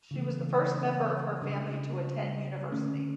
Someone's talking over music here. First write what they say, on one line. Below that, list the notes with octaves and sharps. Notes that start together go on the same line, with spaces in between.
She was the first member of her family to attend university.
C#3 E3 A3
C#3 G3 D4
D3 A3 C#4